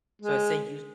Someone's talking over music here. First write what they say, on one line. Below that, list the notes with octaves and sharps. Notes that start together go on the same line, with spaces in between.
So I say use
G#3